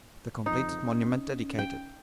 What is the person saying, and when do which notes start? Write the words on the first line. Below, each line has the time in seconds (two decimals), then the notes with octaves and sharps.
The completed monument dedicated.
0.46 F2 D#4
0.84 C#4
1.59 G5